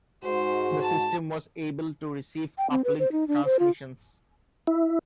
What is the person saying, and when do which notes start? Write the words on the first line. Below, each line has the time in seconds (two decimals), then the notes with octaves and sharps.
The system was able to receive uplink transmissions.
0.24 G#2 F#4 C5
0.82 A5
2.58 G5
2.70 C4
2.84 B4
2.99 C5
3.12 D#4
3.28 D4
3.45 C5
3.59 F4
4.67 E4